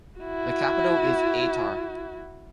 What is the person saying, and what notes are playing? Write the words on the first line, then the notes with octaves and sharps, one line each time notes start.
The capital is Atar.
E4 F#4